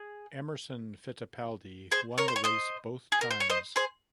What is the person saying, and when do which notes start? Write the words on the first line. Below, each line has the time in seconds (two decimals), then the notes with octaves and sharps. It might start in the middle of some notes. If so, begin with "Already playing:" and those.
Emerson Fittipaldi won the race both times.
Already playing: G#4
1.92 G#4 C5
2.18 A#4 C#5
2.28 C5
2.36 C#5
2.44 C5 D#5
3.12 G#4
3.21 A#4
3.31 C5
3.40 C#5
3.50 C5 D#5
3.76 G#4 C5